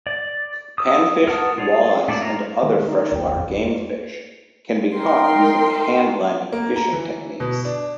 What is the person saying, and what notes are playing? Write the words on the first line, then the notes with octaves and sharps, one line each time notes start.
Panfish, walleyes, and other freshwater game fish can be caught using handlining fishing techniques.
D5
D#6 E6
A#4 F#5 A5 D#6
F4 G#4 C#5 D5
A3 A#3 D4 E4 D5
A#3 F4 A#5
D#3 G#3 B3
D#4 A#4 D5
G#1 D#2 G5
F2
D#4 A#4 G5 C6
A#3
A#5
E3
B2
D4